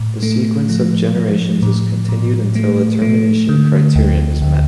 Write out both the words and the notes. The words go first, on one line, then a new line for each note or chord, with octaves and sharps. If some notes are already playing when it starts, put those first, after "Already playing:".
The sequence of generations is continued until a termination criterion is met.
Already playing: A2
A3
F3
F3
A2
A2
A3
A3
D3
D2
D2